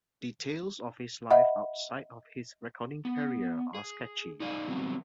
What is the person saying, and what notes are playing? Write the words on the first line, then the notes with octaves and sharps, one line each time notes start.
Details of his life outside of his recording career are sketchy.
D#5 E5 F#5 B5
B3
G#4
D#4 G#4 D5 D#5 F5
D#3 F#3 G3 B3 C4